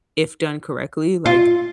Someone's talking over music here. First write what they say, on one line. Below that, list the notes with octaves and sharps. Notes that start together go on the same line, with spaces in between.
if done correctly, like,
F4